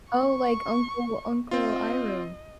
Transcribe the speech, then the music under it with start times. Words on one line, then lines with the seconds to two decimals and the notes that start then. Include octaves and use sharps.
Oh, like Uncle Uncle Iroh.
0.11 C#6
1.51 C4 F4 D#5